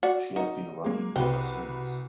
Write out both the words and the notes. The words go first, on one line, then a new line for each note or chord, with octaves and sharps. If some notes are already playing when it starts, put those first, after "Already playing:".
She has been running ever since.
F#4 D5
D#4 F#4
G#3 A#3
C2 C4 F#4 B4